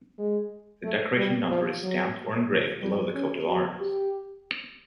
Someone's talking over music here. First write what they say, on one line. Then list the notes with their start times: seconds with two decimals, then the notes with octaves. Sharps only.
The decoration number is stamped or engraved below the Coat of Arms.
0.18 G#3
0.84 A3
1.17 G3
1.50 F3
1.83 F#3
2.49 F3
2.82 G3
3.14 C#4
3.47 F#4
3.81 G4